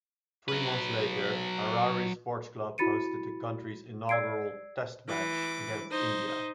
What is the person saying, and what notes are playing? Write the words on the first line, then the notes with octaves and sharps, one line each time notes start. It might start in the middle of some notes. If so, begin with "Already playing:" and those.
Three months later, Harare Sports Club hosted the country's inaugural Test match, against India.
F#3 B4
E4 F#4 B5 A6 C#7 D#7
D5 E6 G#6 C7 D7
E3 D6
D#4 C5